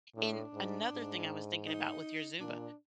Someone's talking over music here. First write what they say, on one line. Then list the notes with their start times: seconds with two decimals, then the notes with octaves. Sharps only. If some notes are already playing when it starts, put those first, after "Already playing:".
and another thing I was thinking about with your Zumba:
0.16 A2 D4
0.53 G#2
0.92 G#2
1.67 D#4
2.41 A#2 D4